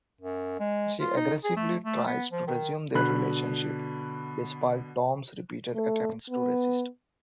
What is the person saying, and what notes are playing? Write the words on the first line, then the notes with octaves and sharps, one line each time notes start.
She aggressively tries to resume their relationship, despite Tom's repeated attempts to resist.
F#2
G#3
F4
D#4
G#4
A3
A3
B3
F3
D#3
B2 D3 B5 F#6
A3
B3